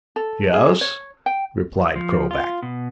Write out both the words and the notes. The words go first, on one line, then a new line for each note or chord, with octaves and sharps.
"Yes," replied Krovac.
A4
G#4
C#5
G5
F3
F4
B2